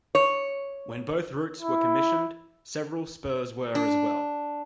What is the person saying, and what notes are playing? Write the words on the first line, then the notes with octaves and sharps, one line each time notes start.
When both routes were commissioned, several spurs were as well.
C#5
E4
D4